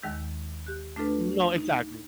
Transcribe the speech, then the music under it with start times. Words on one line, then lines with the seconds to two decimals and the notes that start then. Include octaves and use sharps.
No, exactly.
0.02 D#2 D#3 G#3 E6 G6
0.66 G4 F#6
0.96 A3 D4 F4 A4 B4
1.56 D#4